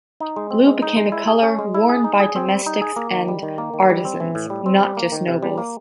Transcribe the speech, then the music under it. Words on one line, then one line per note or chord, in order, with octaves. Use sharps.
Blue became a colour worn by domestics and artisans, not just nobles.
D#4
G#3
C4
G#3
D#4
G#3
E4
G#4
C#4
G#3
E4
G#4
D#4
G#4
C4
G3
D#4
G#4
A#3
D#3
G3
D#3
A#3
D#3
G3
C4
E3
A2
G3
C4
G3
A#3
D#3
C3
G3
A#3